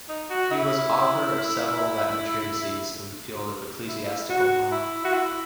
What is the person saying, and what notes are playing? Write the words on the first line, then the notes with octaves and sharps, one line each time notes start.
He was author of several Latin treatises in the field of ecclesiastical law.
D#4
F#4
E4
E4
F#4
E4
F#4
E4